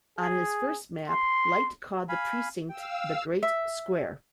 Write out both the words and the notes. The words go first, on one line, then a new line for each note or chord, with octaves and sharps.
On his first map, Light called the precinct 'The Great Square'.
G#4
C6
F5 G#5 B5
F5 G5 E6
E5